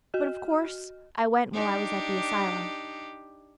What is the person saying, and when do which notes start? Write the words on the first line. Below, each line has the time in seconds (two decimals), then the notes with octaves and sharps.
But of course I went while I was at the asylum.
0.14 F#4 D#5 F6
1.54 D4 D#4 G4